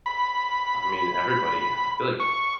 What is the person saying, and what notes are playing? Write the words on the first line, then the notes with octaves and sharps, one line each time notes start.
I mean, everybody. I feel like
B5
C#6